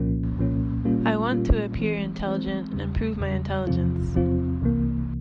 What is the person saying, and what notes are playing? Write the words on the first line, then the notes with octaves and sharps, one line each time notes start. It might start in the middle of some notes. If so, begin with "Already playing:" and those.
I want to appear intelligent and prove my intelligence.
Already playing: C2 A#2 F3 A#3 C#4
C2 A#2 F3 A#3 C#4
A#2 G3 A#3 C#4 F4
A#2 G3 A#3 C#4 F4
E3 G#3 C4
E3 G#3 C4
E2 C#3 G3
E2 C#3 G3
E2 C3 F3 C4 F4
E2 C3 F3 C4 F4
C2 C3 E3 A#3